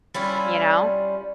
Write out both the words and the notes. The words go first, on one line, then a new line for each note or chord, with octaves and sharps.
You know?
G3 C#4 E4 F4